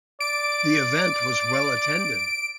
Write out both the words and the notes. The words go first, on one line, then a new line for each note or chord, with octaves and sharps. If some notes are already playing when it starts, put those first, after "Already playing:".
The event was well attended.
D5 D7